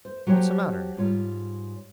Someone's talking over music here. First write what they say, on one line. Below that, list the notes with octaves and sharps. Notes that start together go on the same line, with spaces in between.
"What's the matter?"
C5
F#3 G4 C5 C#5 G5 A5
G#2 G3 F4 C#5